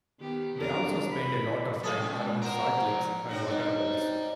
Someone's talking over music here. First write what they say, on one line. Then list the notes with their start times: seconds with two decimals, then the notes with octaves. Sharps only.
They also spend a lot of time around salt licks and water holes.
0.20 D#3 B3 G4
0.57 F2 D4 A#4
1.12 B5
1.83 F#3 F4 G#4 A4 D#6
1.98 G#3 B3 C#4 G5
2.42 F3 A#4 C5 F#5 A#5
3.29 C4 D4 F#4 C#5
3.48 D#4 D5 G5